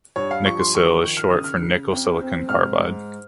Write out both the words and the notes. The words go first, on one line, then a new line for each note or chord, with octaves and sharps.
Nikasil is short for Nickel Silicon Carbide.
G2 C#5
F5
F3 C#6
C6
D#3 C#6
D#3
F6
C#3 D#6
F6
C#3
F2
C4
G#2 F6
G#2